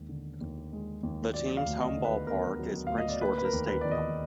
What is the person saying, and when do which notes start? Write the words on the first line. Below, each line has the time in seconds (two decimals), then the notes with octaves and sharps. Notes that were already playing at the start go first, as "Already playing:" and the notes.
The team's home ballpark is Prince George's Stadium.
Already playing: D#2 G#3
0.09 D3
0.41 D#2
0.73 G#3
1.03 D#2
1.34 F#3 D5
1.57 F5
1.66 D2
1.81 D#5
1.97 D3
2.04 B4
2.27 B3 A#4
2.59 F#3
2.87 D2 F5
2.98 D#5
3.09 D5
3.21 A#3 B4
3.38 B4
3.45 A#4
3.53 D#2
3.68 B4
3.81 D#3 D5
3.91 D#5